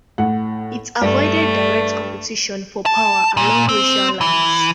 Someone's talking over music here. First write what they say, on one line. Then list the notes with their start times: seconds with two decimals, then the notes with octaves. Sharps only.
It avoided direct competition for power along racial lines.
0.18 A2 F#5
1.01 G2 A3
2.86 A5
3.37 A#2
3.69 C4
4.21 E3